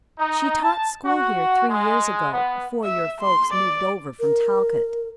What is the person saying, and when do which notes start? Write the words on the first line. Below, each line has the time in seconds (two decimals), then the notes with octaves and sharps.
She taught school here three years ago, afore your folks moved over from Talcott.
0.18 D#4
0.62 A5
1.05 F#4
1.68 G#3
2.31 B3
2.84 E5
3.21 C6
3.54 D5
4.20 A#4